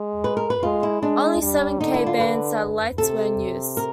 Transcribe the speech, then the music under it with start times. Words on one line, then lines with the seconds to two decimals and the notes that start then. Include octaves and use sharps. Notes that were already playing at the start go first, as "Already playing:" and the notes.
Only seven K band satellites were in use.
Already playing: G#3
0.24 B4
0.37 A#4
0.50 B4
0.63 G#3 F4
0.83 E4
1.02 G#3 D4
1.42 G3
1.80 D3 D#4
1.94 E4
2.06 F4
2.20 B4
2.98 C3 A4
3.77 A#4